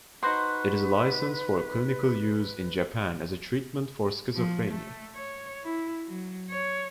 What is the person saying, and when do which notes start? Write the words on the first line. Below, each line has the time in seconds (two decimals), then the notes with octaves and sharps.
It is licensed for clinical use in Japan as a treatment for schizophrenia.
0.23 D#4 F#4 B4 C5 B5 C6
4.35 F3
4.70 A3
5.16 C#5
5.64 E4
6.07 F#3
6.50 C#5